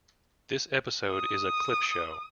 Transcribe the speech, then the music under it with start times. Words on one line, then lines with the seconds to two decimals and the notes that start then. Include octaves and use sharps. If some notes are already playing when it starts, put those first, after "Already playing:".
This episode is a clip show.
1.11 D#6